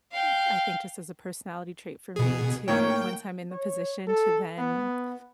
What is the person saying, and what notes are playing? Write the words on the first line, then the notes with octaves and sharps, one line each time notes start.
f I think, just as a personality trait for me to once I'm in the position to then m
F5 G5
B2 G#4
A2 D#3 A#3 A#4 C#5 G5
C#5
A4
B3